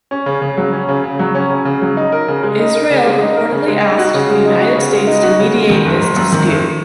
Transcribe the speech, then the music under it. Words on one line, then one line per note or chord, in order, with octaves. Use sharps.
Israel reportedly asked the United States to mediate this dispute.
C#4
C#3
C#3
F#3
C#4
C#3
C#3
F#3
C#4
C#3
C#3
F#3
D#4
A#4
C#3
G#3
D#4
A#4
C#3
G#3
D#4
A#4
C#3
G#3
D#4
F#4
C#3
G#3
D#4
F#4
C#3
G#3
D#4
F#4
C#3
G#3
D#3
F#1
F#1
F#2
D#3
F#1